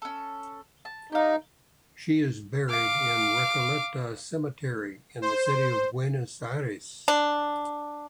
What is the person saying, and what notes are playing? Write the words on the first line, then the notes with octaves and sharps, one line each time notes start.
She is buried in Recoleta Cemetery in the city of Buenos Aires.
C#4 A4
A5
D#4 G4 F5
F5 D6
C5
D4